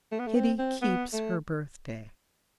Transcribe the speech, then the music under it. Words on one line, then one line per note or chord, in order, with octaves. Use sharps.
Kitty Keeps Her Birthday.
A3
B3
A3
C4
C4
B3
A3